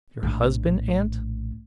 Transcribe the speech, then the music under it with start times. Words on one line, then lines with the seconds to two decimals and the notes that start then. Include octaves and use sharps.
'Your husband, aunt?
0.23 A#1 A2